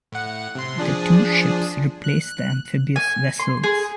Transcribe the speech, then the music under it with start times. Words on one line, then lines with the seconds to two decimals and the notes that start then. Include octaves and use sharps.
The two ships replaced the amphibious vessels.
0.12 A2 F#5
0.55 C3 C6
0.78 F3 D4 G#4
2.04 F#6
2.96 G#5
3.39 C6
3.63 G#4